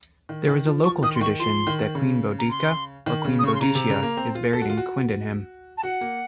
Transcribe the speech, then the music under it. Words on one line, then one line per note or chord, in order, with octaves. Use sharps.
There is a local tradition that Queen Boudica or Boadicea is buried in Quidenham.
D#3
D#3
F3
F3 C#6
D#3 D#6
C6
D#3 C#6
F3 C6
D#3
C#3
A#5
C6
D#3
C#3
D#6
C#3 C#6
C6
C#3 A#5
C3
C#3
A#3
C4
F4
A4
F#4
F4
F#4
A5
F#4 F#5
A#3